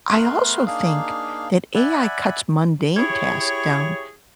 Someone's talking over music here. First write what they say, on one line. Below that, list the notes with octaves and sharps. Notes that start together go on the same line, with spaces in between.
I also think that AI cuts mundane tasks down
A3 B3 A#4 B4 C6
A#3 D4 D#4 G#4 F5
D5 E5 F#5 G#5 B5
E4 G4 G#4 C#5